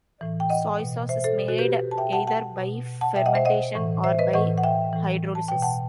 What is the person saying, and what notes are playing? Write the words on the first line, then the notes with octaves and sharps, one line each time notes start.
Soy sauce is made either by fermentation or by hydrolysis.
A2 E3
G5
D#5 F#5
B2
C5 E5
A4 C5
B2
F#4 A4
G4 B4
A5
B2 E5 G5
F#5 A5
F#5 A5
B2
F#5 A5
B2 E5 G5
D#5 F#5
C5 E5
D#5 F#5
A2 E3
C5 E5
B4 D#5
A2 E3 D#5 F#5
F#5
E5 G5
A2 E3
A5
B2 G5
F#5 A5